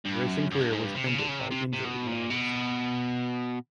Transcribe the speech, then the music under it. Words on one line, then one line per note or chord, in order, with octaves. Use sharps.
His racing career was ended by injury in August.
G2
F#2
F#2
G2
G#2
G2
C3
C#3
D3
C#3
C3
C3
C3
B2
A#2
B2